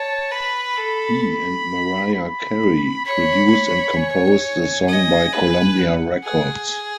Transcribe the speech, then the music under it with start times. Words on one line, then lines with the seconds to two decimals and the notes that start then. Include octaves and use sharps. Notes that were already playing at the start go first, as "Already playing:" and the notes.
He and Mariah Carey produced and composed the song by Columbia Records.
Already playing: C#5 A5
0.31 B4 B5
0.77 A4
1.23 B5
2.14 B5
3.05 C#5 B5
3.51 C#5
3.97 G#5
4.88 D#5
5.33 B4
5.79 F#5
6.25 G#4